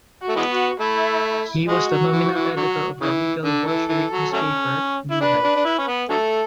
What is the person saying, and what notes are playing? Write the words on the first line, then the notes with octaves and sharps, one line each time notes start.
He was the nominal editor of the legal Bolshevik newspaper "New Life".
F#4
A3
E3 G#3 B3
F#4
A3 E4
G#3 F#4
F#3
E3
E3
D3 F#3
C#3 E3
D3 A4
E3
E3
F#3
F#3 A3 C#4
E4
D4 B4
D4
D4
E4
C#4
B3
D3 F#3 A3 A4